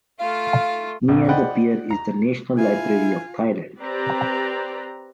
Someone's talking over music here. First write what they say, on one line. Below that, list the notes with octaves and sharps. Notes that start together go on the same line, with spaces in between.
Near the pier is the National Library of Thailand.
A3 F4 F5
A#1 F2 C3
C5 D5 D#5 F#5 G5 B5
A#5
E4 F4 G#5
C4 G4 B4 D5 A#5